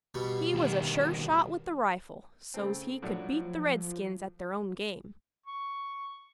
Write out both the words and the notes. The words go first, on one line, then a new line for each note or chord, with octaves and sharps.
He was a sure shot with the rifle so's he could beat the redskins at their own game.
B2 G3
D2 D#3
C#3 A3 C4
A2 F3 F#3 D4
C#6